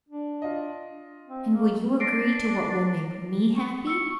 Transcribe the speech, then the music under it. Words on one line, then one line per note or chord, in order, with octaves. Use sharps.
"And will you agree to what will make me happy?"
D4
F4 D#5
C4
A#3
D4 A#6 C7 D7
C#6
E6 C#7